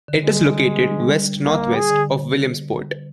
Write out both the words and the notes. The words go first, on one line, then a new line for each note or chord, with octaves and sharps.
It is located west-northwest of Williamsport.
D3
G#3
G3
D3
D4
G3
D3
D3 A#3
G3
G#4
D3